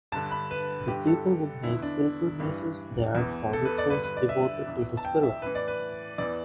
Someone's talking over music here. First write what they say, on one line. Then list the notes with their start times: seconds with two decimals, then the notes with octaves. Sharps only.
The people would make pilgrimages there for rituals devoted to the spirit.
0.12 G2 D3 A5
0.31 B5
0.51 B4
0.88 G2 D3 G4
1.07 A4
1.64 E2 D3 E4
1.82 D4
2.40 G2 E3
3.15 E2 E3
3.53 A4
3.65 B4
3.78 D5
3.90 G2 D3 B4
4.04 B4
4.17 D5
4.29 E5
4.67 E2 E3
4.97 A5
5.05 G5
5.23 E5
5.42 A2 B4
5.46 E3
5.55 D5
5.68 B4
6.18 E2 E3 D5